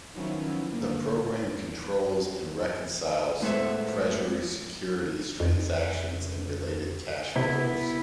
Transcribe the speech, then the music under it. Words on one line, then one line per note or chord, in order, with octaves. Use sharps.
The program controls and reconciles Treasury securities transactions and related cash flows.
D#3 F3 F#3 B3 C#4 E4
D3 A#3
A2 G#3 B3 A4 C5 E5
F2
C3 B3 E4